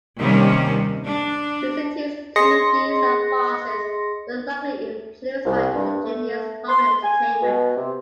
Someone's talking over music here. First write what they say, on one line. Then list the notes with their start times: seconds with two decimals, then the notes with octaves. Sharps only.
Vicente's comedies and farces were likely influenced by indigenous popular entertainment.
0.17 C3 D#3 G3 A#3 C#4
1.04 D4
2.36 G#4 D#5 C6 A#6 C#7
5.45 C2
5.75 G2
6.04 A3
6.69 C6
7.03 G#5
7.42 B2
7.76 C3